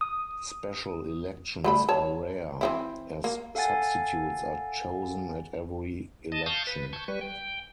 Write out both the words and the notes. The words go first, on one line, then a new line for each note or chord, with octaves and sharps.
Special elections are rare, as substitutes are chosen at every election.
D#6
G3 A3 B5
C#5 A5
E3 C4 E4
A#3
A4 F5 F#5 G#5 A6
D#5 A5
F5 A5 C#6 D#6 G6
B4
A5 C#6 G6 G#6
G3 B4 C#6
G5